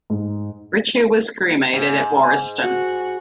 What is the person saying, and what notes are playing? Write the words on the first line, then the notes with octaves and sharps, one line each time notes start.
Ritchie was cremated at Warriston.
G#2
G#2
F#4